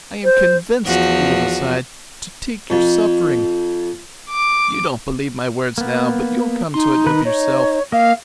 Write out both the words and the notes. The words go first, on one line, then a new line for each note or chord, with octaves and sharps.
I am convinced that you will decide, 'to take your suffering.' You don't believe my words now, but you'll come to it of yourself.
C5
E2 F3 F#4
F2
D6
A#3 B3
D#4 C6
D#3 B4
D#4 C#5
A#3 D#5 F5